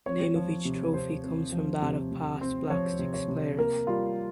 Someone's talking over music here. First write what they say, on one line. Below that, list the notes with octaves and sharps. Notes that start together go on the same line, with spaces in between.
The name of each trophy comes from that of past Black Sticks players.
C4 C#5
F3
C3
C3 C5
C4
F3
C3
C3
C4
F3 C#5
C3
C#5
C3
A#3 A#4
G3 F4